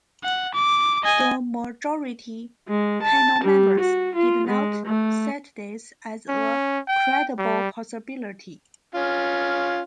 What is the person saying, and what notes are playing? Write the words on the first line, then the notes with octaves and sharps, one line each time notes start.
The majority panel members did not cite this as a credible possibility.
F#5
D6
D#5 G#5
G#3
A5
G3
F#4
F4
G#3
A3
C#4
G5
G3
C#4 F4